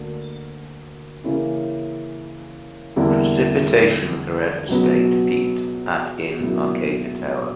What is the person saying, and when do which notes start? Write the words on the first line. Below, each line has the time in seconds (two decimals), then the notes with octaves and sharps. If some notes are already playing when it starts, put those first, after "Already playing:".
Precipitation throughout the state peaked at in Arcadia Tower.
Already playing: D2 D3 A#3
1.24 C#3 E3 A#3 C#4 E4
2.96 E2 D3 G3 A#3 E4
4.69 C#2 B2 F#3 B3 F#4
6.40 C#2 B2 F#3 A#3 E4